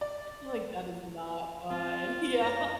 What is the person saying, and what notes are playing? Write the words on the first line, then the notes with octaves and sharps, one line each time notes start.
Like, "That is not fine." Yeah.
D5
C4 F4
F#2 D5 A#6